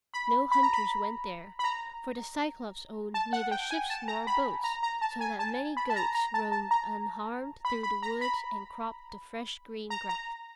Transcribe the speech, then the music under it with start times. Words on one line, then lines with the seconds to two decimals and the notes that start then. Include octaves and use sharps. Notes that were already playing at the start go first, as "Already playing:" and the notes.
No hunters went there, for the Cyclopes owned neither ships nor boats, so that many goats roamed unharmed through the woods and cropped the fresh green grass.
0.14 B5
0.52 B5
0.63 A#5
0.74 B5
1.59 B5
1.64 A#5
3.14 A5
3.33 F#5
3.51 G5
3.71 G#5
3.90 A5
4.08 A#5
4.27 B5
4.64 A#5
4.83 A#5
5.01 A5
5.20 G#5
5.39 A5
5.77 B5
5.90 A5
5.96 A#5
6.14 A#5
6.34 A5
6.52 A5
6.71 A#5
7.65 B5
7.83 B5
8.03 A#5
8.21 B5
9.90 A#5
10.09 A#5